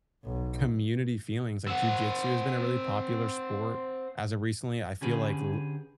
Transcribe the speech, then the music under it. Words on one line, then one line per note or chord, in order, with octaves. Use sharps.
community feelings, like, Jiu Jitsu has been a really popular sport as of recently, I feel like l
B1
C4 F#5
D3 C#4 G4 G#4 B4